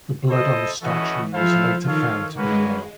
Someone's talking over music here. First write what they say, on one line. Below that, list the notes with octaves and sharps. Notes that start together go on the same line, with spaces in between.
The blood on the statue was later found to be male.
E4 A4 C5 D#5
E3 A3 C#4 F#4 B4 D#5
F3 E4 A4 C5 F5
D#3 F4 A4 C#5 F5
G#3 A#3 C#4 F#4 B4